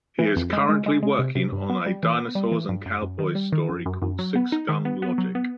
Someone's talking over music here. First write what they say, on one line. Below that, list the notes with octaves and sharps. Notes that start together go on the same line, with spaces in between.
He is currently working on a dinosaurs and cowboys story called "Sixgun Logic".
E3
F2
G#3
G#3
G#3
G#3
C3
C3
G2
B3
G3
E3
B3
G3
E3
G2
F#2
F#2
D#3
G3
D#3
F#2
F#2
F#2
F#3
B3
D#4
D#3
B3
B3
F#3
B3